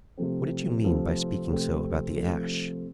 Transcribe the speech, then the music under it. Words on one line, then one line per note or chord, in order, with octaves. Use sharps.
"What did you mean by speaking so about the Ash?"
C3 F3 A3 C4
C3 F3 A3 C4
C3 F3 A3 C4
C3 F3 A3 C4